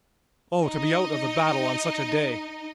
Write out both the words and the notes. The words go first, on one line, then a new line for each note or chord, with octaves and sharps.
Oh, to be out of the battle on such a day!
D#4 D#5